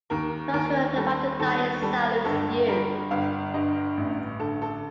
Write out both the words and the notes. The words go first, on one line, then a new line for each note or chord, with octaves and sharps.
Those who are about to die salute you!
D#2 A#4
D#2 A#4
G3 A4
D#2 A4
G3 A4
G1 A4
G3 A#4
G1 F5
G2 D#5
A1
D3 A4
A4